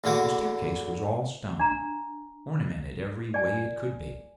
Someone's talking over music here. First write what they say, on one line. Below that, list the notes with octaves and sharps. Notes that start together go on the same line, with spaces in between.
The staircase was all stone, ornamented every way it could be.
E2 D3 A#3 F#4 D6
D4 A#5
D5 G#5